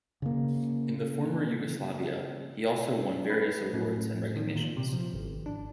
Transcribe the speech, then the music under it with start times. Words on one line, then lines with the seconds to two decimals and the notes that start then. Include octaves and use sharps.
In the former Yugoslavia he also won various awards and recognitions.
0.22 C#3 A#3
2.98 C#4
3.30 B4
3.74 A2
4.36 D#3
4.55 A#2
4.77 C3
4.93 F3
5.14 G#1
5.46 D4